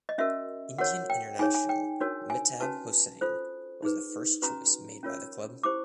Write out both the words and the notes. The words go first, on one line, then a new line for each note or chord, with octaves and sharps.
Indian international Mehtab Hossain was the first choice made by the club.
D#5
C#4 F#4 A#4 E5
F#4 A#4 C#5 F#5
G5
D#4 G#4 C#5 G#5
G#5
G5
D4 F#4 A#4 C#5
G#5
C#4 F#4 B4 A5
F4 A4 C5
D#4 G#4 B4
C#4 F#4 B4 A#5
C#4 F4 A#4 C#5
E4 G4 C5 D6